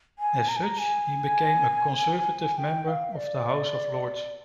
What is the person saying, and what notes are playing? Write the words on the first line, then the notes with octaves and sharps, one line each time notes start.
As such, he became a Conservative member of the House of Lords.
G#5
A#5
G#5
A#5
G#5
G5
F5
D5